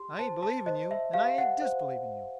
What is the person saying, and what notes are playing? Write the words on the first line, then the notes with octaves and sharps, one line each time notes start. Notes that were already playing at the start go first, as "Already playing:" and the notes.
I ain't believing you and I ain't disbelieving you.
Already playing: G4 C6
C5 A5
A5
C5 D#5
E5
G4 F5
F#5
C5